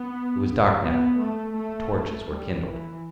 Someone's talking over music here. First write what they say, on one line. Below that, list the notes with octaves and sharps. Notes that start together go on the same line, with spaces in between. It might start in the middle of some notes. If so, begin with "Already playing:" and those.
It was dark now, and torches were kindled.
Already playing: B3
B3
A3
A3
G3
E3